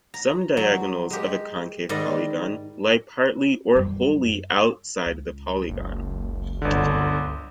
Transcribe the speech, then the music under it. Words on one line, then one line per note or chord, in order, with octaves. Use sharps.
Some diagonals of a concave polygon lie partly or wholly outside the polygon.
A#5
F#3
G#3 G4
G#2 D#3 G3 D5 D#5
F#2 G3
C#2
F#1
G1 D3